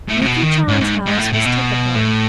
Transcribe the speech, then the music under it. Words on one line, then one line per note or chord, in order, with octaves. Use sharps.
Yuki Chan's house was typical.
A2
A2
B2
D#3
G#2
G#2
G#2
A2
A2
B2
A2